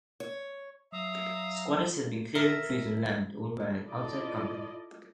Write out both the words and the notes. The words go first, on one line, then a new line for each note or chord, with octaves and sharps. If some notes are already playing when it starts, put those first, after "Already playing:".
Squatters had been clearing trees on land owned by an outside company.
C#5
F#3 E5 F5 A#5 D#6
A#4 E5
E4 F4 A4 D5 D#5